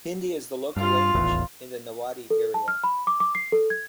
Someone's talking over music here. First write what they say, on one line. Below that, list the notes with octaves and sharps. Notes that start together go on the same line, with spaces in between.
Hindi is the local language in the Nawadih area.
G2 F4 F5
D#1 A1 E2
A4
A5
F6
B5
D6
D6
C7
A4
G#6